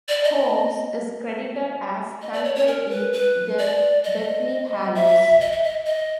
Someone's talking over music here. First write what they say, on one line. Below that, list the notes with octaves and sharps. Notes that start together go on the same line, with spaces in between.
Holmes is credited as stuntman in "The Deathly Hallows".
D5
D#5
D#5
D5
C#5
C#5
A#4
B4
B4
D5
D#5
E5
D#5
E5
D#5
D#5